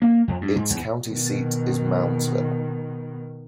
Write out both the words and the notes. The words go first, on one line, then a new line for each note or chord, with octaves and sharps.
Its county seat is Moundsville.
A#3
F2
G2
G#2
E2
B2 D#3